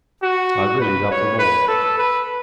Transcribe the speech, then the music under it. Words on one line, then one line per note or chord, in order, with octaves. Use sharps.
I really love them all.
F#4
B4
C#5
B4
A4
B4